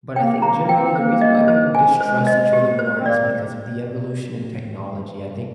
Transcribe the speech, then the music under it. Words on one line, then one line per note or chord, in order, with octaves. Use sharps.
But I think, generally, the reason why people distrust each other more is because of the evolution in technology, I think
A#3 G5
A#3 A#5
A#3
C4 G5
A#3 C5
D#5
C5
G#5
G#3 C5
D#5
G4
C5
C4
A#3 D5